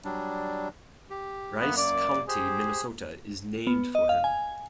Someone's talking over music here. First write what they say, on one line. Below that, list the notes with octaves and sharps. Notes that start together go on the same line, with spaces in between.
Rice County, Minnesota is named for him.
F#3 G3 D4
G4
F#2 A#3 B3
D5
G4 G#4 C5
B3
D#5
F5
G#5